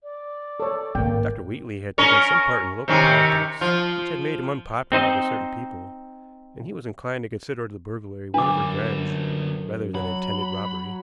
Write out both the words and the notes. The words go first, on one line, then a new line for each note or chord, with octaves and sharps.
Dr. Wheatley had taken some part in local politics which had made him unpopular with certain people, and he was inclined to consider the burglary one of revenge rather than intended robbery.
D5
A4 C#5
G#1 A#3 G5
C#4 A#4 C#5
C3 D#3 C#4
F3 F4
C4 D#4 C5 D#5
F#2 D3 D4 B4 D6
F#3 B5